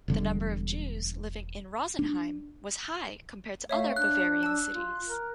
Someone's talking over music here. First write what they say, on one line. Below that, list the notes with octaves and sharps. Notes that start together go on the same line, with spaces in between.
The number of Jews living in Rosenheim was high compared to other Bavarian cities.
E1 D3 G3
D4
A3 C#5 E5 F5
D4 F#6
A5 E6
F4
A#4